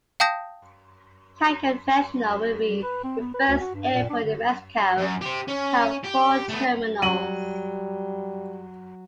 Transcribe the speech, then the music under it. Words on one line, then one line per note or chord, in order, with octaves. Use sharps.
Cancun International will be the first airport in Mexico to have four terminals.
F5 G5 A5 D#6 G6 A#6
G3
B4
C4
B3
B4
D2
F#4
G2
A#2
D4
D3
F#2
G4 C5
C#4
G4
A3 B3
F#3 G3 D#7 F#7